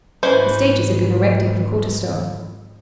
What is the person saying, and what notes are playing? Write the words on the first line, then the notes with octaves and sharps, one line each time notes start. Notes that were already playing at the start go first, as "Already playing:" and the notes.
The stages had been erected for quarter-staff.
G#2 E3 C#4 B4 C5